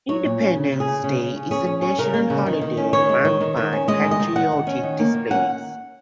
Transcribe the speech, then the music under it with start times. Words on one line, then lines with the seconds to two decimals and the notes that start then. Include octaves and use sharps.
Independence Day is a national holiday marked by patriotic displays.
0.09 F#3 C#5
0.24 A#2
0.41 C#4
0.56 C#3
0.72 C#3
0.80 G#4
0.88 C#3
1.04 C#3
1.19 C#3
1.35 C#4
1.51 C#4 G#4
1.67 C#4
1.82 C#4
1.98 C#3 A#4
2.14 A#3
2.30 C#3
2.46 D#3
2.61 D#3
2.77 C#4
2.93 D#3 C#5
3.09 G#3
3.25 D#3
3.40 D#3
3.57 D#3
3.73 C#4
3.88 G#3 D#5
4.04 D#3
4.11 D#5
4.20 D#3
4.36 D#3 F#5
4.52 D#3
4.67 C#4
4.83 D#3
4.99 A#3
5.14 D#3
5.30 C#4 F#5